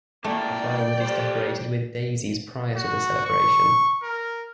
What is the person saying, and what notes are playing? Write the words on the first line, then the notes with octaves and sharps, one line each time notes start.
The firewood is decorated with daisies prior to the celebration.
C3 A3 A#3 D5 G5
G3 A4 C5
F#4
C#6
A#4